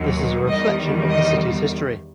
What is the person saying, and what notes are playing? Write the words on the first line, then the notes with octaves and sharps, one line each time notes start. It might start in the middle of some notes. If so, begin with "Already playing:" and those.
This is a reflection of the city’s history.
Already playing: D#2 D#3 F#3
E2 D#3 G3 D#5
D#5